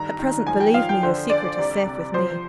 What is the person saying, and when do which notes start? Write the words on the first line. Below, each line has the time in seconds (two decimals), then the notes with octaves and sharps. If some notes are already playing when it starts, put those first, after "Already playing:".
At present, believe me, your secret is safe with me.
Already playing: G2 D#3 A#5
0.19 D#3
0.47 F3 G#5
0.60 G5
0.74 F3 F5
0.89 G5
1.03 D3 C5
1.30 D3 D5
1.58 C2
1.86 C3
2.14 F3 C5